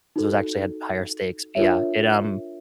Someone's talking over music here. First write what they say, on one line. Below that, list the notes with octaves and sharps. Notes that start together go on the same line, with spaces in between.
it was actually had higher stakes, but yeah, it, um
D#4 F#4 A4
D4 F4 A#4 C#5 E5